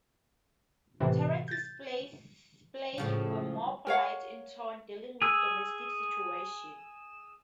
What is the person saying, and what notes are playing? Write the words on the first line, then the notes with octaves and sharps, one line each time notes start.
Terence's plays were more polite in tone, dealing with domestic situations.
A2 C3 E3
G6 A6
A2 C#3 F3
A#4 C#5 F5 F#5
G#4 E6